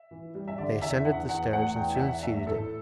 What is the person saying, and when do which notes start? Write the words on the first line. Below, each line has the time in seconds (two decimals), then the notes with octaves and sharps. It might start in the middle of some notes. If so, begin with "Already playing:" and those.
They ascended the stairs, and soon seated him.
Already playing: E5
0.11 E3
0.34 G3
0.48 E5
0.58 D3 D5
0.81 E2 E5
1.05 E2 F#5
1.29 E2 F#5
1.53 A3 F#5
1.76 E2 G5
1.95 E5
2.00 E2 F#5
2.23 A3 E5
2.46 A2 A4